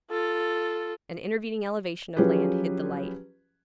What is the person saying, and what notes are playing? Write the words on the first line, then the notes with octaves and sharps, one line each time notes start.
An intervening elevation of land hid the light.
F4 A4
F3 F#3 C#4 G4 G#4 B4